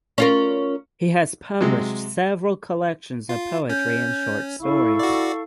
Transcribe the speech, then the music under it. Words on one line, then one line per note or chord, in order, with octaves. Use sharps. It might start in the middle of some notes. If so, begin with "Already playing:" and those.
He has published several collections of poetry and short stories.
C#4 F4 A#4
C3 F#3 G#3
F4
C#4 G6
E4 A4 F5 C#6
F#4 D5